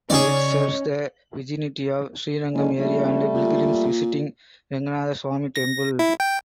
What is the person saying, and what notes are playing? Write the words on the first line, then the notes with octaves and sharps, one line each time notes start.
It serves the vicinity of Srirangam Area and pilgrims visiting Ranganathaswamy Temple.
C#3 C#4 D#4 G#4 C#5 D5
F#1 D3 G#3 C#4
A#1 G3 A3
A#2
A#6
E4
G5